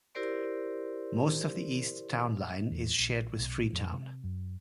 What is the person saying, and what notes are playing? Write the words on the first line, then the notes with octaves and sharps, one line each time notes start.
Most of the east town line is shared with Freetown.
E4 G4 A#4 C5 D5 C6
E2
A#1
B1
F2
C3
F#2